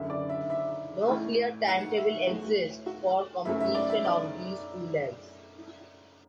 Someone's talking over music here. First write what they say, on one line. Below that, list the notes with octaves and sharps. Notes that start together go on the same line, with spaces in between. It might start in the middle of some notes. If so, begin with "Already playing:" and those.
No clear timetable exists for completion of these two legs.
Already playing: F#1 F#2 D3 E5
D5
E5
E5
A1 A2 A3
F#5
E5
E1 E2 E3 A3 F#4
F#4
F#1 F#2 F#3 A3 E5
E5
D5
E5
D5